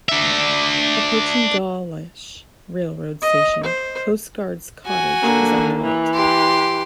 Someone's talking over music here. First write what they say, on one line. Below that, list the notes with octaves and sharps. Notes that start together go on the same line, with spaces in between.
Approaching Dawlish railway station, Coastguard's Cottage is on the right.
D4 E5
D#5
C5
F#4 G#5
D3 A#3
E3
G4 C6